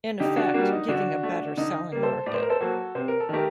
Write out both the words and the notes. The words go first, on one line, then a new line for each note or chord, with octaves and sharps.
In effect, giving a better selling market.
D3 D#4 G4
D4 F#4
G3 A#3 D4 F#4
D#4
D3 D4 F#4
A3
D3 D#4
G3 A#3
A4 C5
A2 D5
C5
A#4
A4 C5
F#3 A#3 F#4 A4
C3 C5
A#4
A4
D#3 A3 G4 A#4